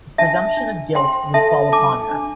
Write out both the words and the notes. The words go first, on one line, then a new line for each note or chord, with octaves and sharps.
The presumption of guilt would fall upon her.
D4 E5 A5
D4
C5 G5 C6
A4 E5 A5
D4 A5 D6
D4